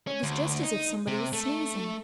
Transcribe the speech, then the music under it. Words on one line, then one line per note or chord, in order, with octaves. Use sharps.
It was just as if somebody was sneezing.
C#4
D2
D#4
C3
A3